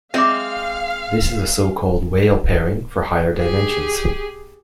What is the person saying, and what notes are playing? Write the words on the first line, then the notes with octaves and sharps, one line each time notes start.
This is the so-called "Weil pairing" for higher dimensions.
G#3 C4 E5 F5 D6
G4 G#4